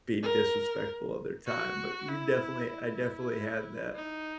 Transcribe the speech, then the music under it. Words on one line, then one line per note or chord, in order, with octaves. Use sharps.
being disrespectful of their time. But we definitely I definitely had that,
A#4
F#4
E4
E4
D#4